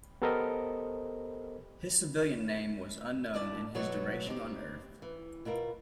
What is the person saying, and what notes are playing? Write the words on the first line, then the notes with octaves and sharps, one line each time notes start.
His civilian name was unknown in his duration on Earth.
B3 G4 A4 A#4 C5 D#5
D#2 D4 E4 D5
B2 E3 F#3 A3 C#5
C4 D#4 G4
E3
B2 E4 F4 A#4